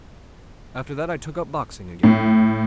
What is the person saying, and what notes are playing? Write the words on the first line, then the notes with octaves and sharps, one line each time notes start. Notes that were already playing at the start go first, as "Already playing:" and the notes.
After that I took up boxing again.
A2